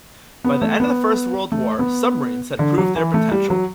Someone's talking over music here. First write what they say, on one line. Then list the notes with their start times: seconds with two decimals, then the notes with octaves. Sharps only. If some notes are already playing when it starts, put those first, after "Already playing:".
By the end of the First World War submarines had proved their potential.
0.44 B3
0.62 A3
0.80 B3
1.52 A3
1.79 B3
2.59 D3
2.78 F#3
2.96 E3
3.14 A3
3.31 G3
3.50 F#3